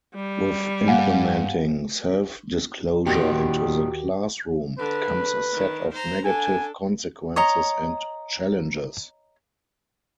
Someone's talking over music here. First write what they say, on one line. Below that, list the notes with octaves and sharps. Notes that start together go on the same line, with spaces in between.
With implementing self-disclosure into the classroom, comes a set of negative consequences and challenges.
G3
G2 F5 F#5 G#5
D#2 A#2 D#3 F#4 G4
D3 B4
D#3
C5 A#5
D4 A4 G#5
C#5 D#5 A#5